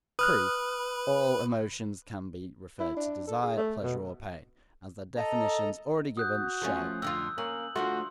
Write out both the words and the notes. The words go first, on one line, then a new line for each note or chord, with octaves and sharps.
Proof.--All emotions can be referred to desire, pleasure, or pain, as their definitions, already given, show.
B4 D#6 F6 F#6
E4
D4
A4
G#4
A3
B2
A4 D#5 A#5
F#4 D#6 F#6 G6
F3 A3 C#4
F2 D3 F4 E6
A#3 C#4 F#7
D2 F3 A3 F#4 C6